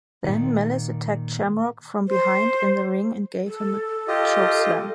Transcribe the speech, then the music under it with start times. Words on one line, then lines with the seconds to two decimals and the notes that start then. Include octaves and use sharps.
Then Malice attacked Shamrock from behind in the ring and gave him a chokeslam.
0.24 A#2 D#3
2.08 C5
3.48 A4
4.08 F4 G4 D#5